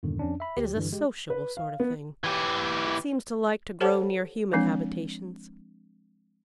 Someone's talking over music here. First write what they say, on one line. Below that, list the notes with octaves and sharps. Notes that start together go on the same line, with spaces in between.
It is a sociable sort of thing; it seems to like to grow near human habitations.
E2 G2 A#2 D3 D#3
F2 C#4 D4
E5 B5
D2 G4
G2 D3 E3 G3
G#3 G4
B4
F5
B3
E3 G4
G4 A4 C5 C#5 F#5 A5
F3 G#3 C4 D4